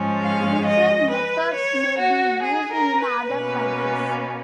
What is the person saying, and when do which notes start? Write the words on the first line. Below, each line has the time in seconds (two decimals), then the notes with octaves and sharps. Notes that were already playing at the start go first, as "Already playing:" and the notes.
Different methods may be used in other countries.
Already playing: G#2 F3 G#3 C#4
0.22 F5
0.66 D#5
1.10 B4
1.54 C#5
1.98 F#4
2.43 G#4
2.72 A#4
3.01 B4
3.31 B2 A#3 C#4 B4